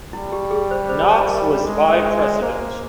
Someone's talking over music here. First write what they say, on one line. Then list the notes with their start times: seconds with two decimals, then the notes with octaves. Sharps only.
Knox was Vie President.
0.13 G3 E4
0.32 G4
0.51 G#4
0.71 C5
0.89 C5
1.28 A#4
1.66 G#3
2.03 C5
2.42 A#3 C5